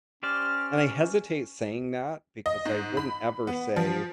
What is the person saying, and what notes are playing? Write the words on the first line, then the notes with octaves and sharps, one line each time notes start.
and I hesitate saying that because I wouldn't ever say,
C#4 G4 C5 D5 F6
D#5
G#2
B5
B3
F3